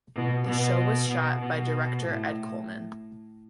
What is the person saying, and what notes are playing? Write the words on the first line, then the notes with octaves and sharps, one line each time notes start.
The show was shot by director Ed Coleman.
B2
B2
B2
B2
A2